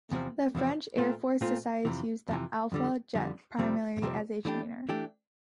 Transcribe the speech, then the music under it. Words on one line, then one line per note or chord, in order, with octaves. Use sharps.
The French Air Force decided to use the Alpha Jet primarily as a trainer.
E2 C3 F3 C4
E2 C3 F3 C4
A#2 A3 C4 F4
A#2 A3 C4 F4
F2 C3 E3
F2 C3 E3
F2 D3 G3
F2 D3 G3
F2 C3 G3 C4
F2 C3 G3 C4
E3 A3 D4 G4
E3 A3 D4 G4